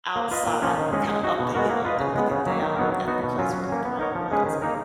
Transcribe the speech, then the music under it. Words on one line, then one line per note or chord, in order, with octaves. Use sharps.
outside, kind of up the hill and looking down at the place where the prom was,
A#3
F4 B4 D#5
A#2
F3 A#3 C#4 F4
D#3
G#3 C#4 G#4 D#5
G#3
D#4 F#4
B2
G#3 B3 F#4 A#4
A#3
F4 B4 D#5
C#3
G#3 B3
C#3
F#3 A#3
D#3
F#3 B3 D#4 A#4
F#3
B3 D#4 F#4
B2
F#3 C#4 F4
F#3
A#3 C#4
B3
D#4 A#4 C#5
F3
G#3 C#4 G#4 B4
D#3
A#3 D#4 A#4